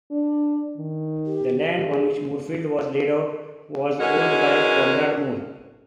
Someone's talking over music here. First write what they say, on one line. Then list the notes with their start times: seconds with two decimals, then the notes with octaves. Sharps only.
The land on which Moorefield was laid out was owned by Conrad Moore.
0.11 D4
0.77 D#3
1.27 G4
1.89 G#4
4.00 E3 G#3 C#4 F#4 A#4